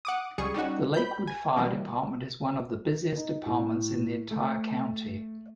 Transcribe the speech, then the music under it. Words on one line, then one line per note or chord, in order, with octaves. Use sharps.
The Lakewood Fire Department is one of the busiest departments in the entire county.
F#5 D6 D#6
C#2 G3 G#4 C#6
G3 C#4 D#4 F#4
B5 G6
G#5
E3 G3 A#3 C4
D#4
A2
A3